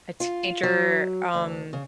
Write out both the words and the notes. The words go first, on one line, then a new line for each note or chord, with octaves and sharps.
a teenager, um,
F4
F#3
D2
C#3